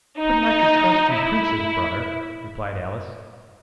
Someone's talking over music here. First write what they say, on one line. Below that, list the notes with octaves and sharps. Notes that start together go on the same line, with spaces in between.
"Put not your trust in princes, brother," replied Alice.
D#4
E4